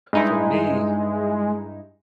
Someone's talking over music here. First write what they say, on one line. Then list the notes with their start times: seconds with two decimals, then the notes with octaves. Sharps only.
for me
0.13 G2 G#3 D#4 E4